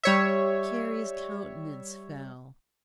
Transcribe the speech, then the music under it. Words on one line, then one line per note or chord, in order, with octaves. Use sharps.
Carrie's countenance fell.
G3 C#5 E5